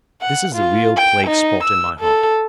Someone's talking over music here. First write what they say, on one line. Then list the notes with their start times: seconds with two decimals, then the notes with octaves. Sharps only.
This is the real plague-spot in my heart.
0.21 F#5
0.55 F4
0.96 G5
1.27 D#4
1.63 E6
2.00 A4